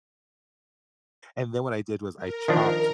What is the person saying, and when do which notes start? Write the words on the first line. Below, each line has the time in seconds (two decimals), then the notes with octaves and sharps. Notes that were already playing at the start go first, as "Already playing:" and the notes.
And then what I did was I chopped
2.17 A#4
2.48 D#3 F3 D4